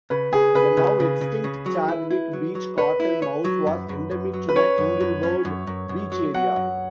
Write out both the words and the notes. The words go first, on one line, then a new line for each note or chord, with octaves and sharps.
The now extinct Chadwick Beach cotton mouse was endemic to the Englewood Beach area.
C#3 B4
C#3 G#4
C#3 B4
C#3 B4
C#3
C#3
C#3
F#3
E4
E4
F#3
F#3
B4 C#5
E4
C#5
F#3
F#2
F#2
F#2
F#3
B4
C#4 C#5
F#2
F#2
C#4
F#2
F#2
F#2
F#3
F#3 F#5
F#2